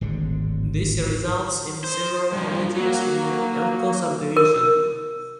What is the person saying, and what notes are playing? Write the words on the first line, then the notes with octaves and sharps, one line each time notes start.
This results in several oddities in the Elko Subdivision.
D1 G#1 G#2 D3
C5
G2 F3
F#3 A#3
A#4